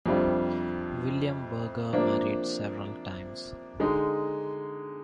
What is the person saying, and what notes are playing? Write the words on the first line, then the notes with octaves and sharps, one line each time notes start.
William Berger married several times.
F2 C3 G3 D4 F4
C3 F3 A#3 D4
D3 G#3 D#4